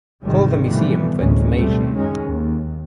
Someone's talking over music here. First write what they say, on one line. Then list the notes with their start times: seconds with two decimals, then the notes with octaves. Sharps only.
Call the museum for information.
0.24 G#1 D2 C3 D#3 G3 G#3
0.66 B2 E3 F3 G3 A3 B3
1.17 A1 D2 A2 G#3 C#4
1.57 B2 G3 A3 C4
1.94 F#2 D#3 G#3 C#4
2.27 D#2